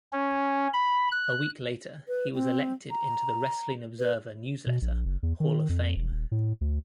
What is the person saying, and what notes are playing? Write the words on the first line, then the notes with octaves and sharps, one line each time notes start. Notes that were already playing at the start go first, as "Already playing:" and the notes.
A week later, he was elected into the Wrestling Observer Newsletter Hall of Fame.
C#4
B5
F#6
B4
C4
A#5
B4
B2
A#1
F#1
E2
D#3
F2
E1
D#1
A2
D2